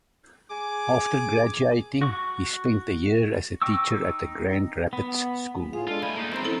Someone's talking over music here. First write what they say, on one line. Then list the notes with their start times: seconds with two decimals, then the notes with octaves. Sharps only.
After graduating, he spent a year as a teacher at a Grand Rapids school.
0.51 G#4 D6
2.02 F#4 C#6
3.62 D#4 G5 C#6 D6 E6
4.93 B3
5.73 A2 F4 G#4 F5
5.88 G#3 D4 F4 A4
6.02 G3 A3 G#5 B5
6.16 A#3 D#4
6.32 E2 D#3 G#3 A3 C4 A#5 B5 G6
6.45 F3 C#4 E4 A4